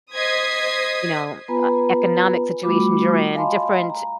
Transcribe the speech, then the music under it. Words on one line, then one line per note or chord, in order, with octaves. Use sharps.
you know, m e economic situations you're in, y ge different
C5 D#5 D#6 G#6 B6 C7
B3 F4 B4 G#5 A#5 B5
G3 A3 F4 F#4 B5 D6
D#5 F5 G#5 A5 B5 C6
A#5